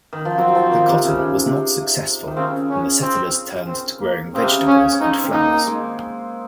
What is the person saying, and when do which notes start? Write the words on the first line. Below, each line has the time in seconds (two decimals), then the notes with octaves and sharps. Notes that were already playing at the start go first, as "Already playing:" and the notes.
The cotton was not successful and the settlers turned to growing vegetables and flowers.
0.13 D#3
0.25 F3
0.38 F#3 C4
0.55 F3
0.72 D#3
0.88 C3
1.05 C#3
1.18 C3
1.46 C3
2.28 D#3
2.36 C#3 C4
2.70 C#4
3.02 C4
3.68 C4
4.01 A#3
4.34 C#3 C4
4.42 C3
4.50 C#3
4.67 C#3 C#4
4.92 C#4
5.01 C4 D#4
5.24 C4
5.33 A#3 D#4
5.67 G#3